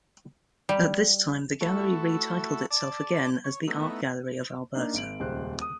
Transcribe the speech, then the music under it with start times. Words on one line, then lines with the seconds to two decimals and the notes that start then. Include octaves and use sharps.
At this time, the gallery re-titled itself again as the Art Gallery of Alberta.
0.69 G3
1.61 A3 E4 F#4 A4
2.71 D5 A5
3.44 C#5
3.68 A3 B3 D#4 E4
4.75 A#3 D4 D#4
4.94 G#1 D7 F#7
5.20 D#1 C#2 C5 F#6
5.61 D#6